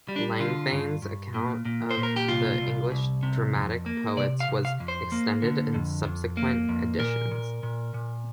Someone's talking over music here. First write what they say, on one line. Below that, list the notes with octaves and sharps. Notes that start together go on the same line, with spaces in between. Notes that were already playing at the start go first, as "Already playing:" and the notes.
Langbaine's "Account of the English Dramatic Poets" was extended in subsequent editions.
G3
D4
D3 F4
G2
G2
A#2
A#2
C5
A#2
A#4
G4
C2 F4
C2
C2
C3
F2
A#3
C3 D5
F5
C3
F5
F2
C5
A#3
D3
F2
F2
A#3
F2
A#2 A#4
A#2
A#2
A#2